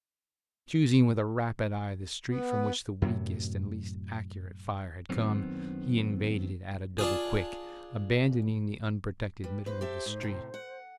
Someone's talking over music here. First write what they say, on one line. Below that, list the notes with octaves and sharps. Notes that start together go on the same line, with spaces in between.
Choosing with a rapid eye the street from which the weakest and least accurate fire had come, he invaded it at a double-quick, abandoning the unprotected middle of the street.
B3
F#2 A2 C3 F#3
F#2 D#3 B3 C4
D4 F4 G#4
G3 B4
E2 B4 C5
G4 A4 E5
G#2
A2 C3
F#5